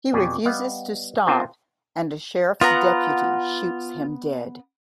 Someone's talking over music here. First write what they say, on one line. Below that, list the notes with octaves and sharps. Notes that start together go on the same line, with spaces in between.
He refuses to stop and a sheriff's deputy shoots him dead.
F2 B2 G4 G#4 D5
G3 B3 D#5 F5
B3 C4 F4 G#4 A#4 C5
B3 F4 F#5 A#5